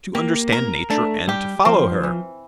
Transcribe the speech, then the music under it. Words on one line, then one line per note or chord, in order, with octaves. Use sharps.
To understand Nature, and to follow her!
A#3 G4
A#4
A3 D4
G3 G4
F3 C4
E3